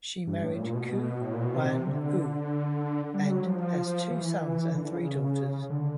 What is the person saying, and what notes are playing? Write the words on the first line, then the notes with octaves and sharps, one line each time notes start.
He married Kuo Wan-hua and has two sons and three daughters.
G2
A2
A#2
B2
A2
A#2
B2
C3
D3
G3
F#3
F3
E3
D3
D3
C#3
D3